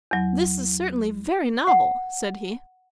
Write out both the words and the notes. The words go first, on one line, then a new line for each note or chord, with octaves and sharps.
"This is certainly very novel," said he.
E2 F#3
F#5